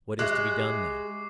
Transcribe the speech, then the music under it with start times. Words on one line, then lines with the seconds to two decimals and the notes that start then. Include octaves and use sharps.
What is to be done then?
0.19 G#3 G4 E5 C#6 D6 F#6 C7